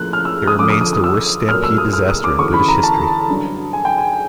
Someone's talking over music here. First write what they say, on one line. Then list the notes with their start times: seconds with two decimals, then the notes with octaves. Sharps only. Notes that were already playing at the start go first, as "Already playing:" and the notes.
It remains the worst stampede disaster in British history.
Already playing: A2 F3 A#3 F#6
0.13 F6
0.25 E6
0.47 D#6
0.59 F2 D3 F3 D6
0.70 D#6
0.81 D#6
0.93 D#6
1.04 E6
1.49 A#2 F#3 A3 F6
1.64 E6
1.78 D#6
1.93 F6
2.09 D#6
2.24 D6
2.38 D2 C#3 E3 C#6
2.54 B5
2.68 A#5
2.83 A5
3.28 G2 D3 F#3
3.73 G#5
3.85 G5
3.98 G#5